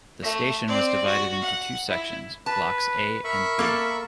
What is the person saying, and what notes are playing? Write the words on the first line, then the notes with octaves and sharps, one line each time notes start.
The station was divided into two sections, Blocks A and B.
A3
C4 D5
F#4
F#5
E4
B4 A5
A#4 E5 B5 C#6
A#3 A4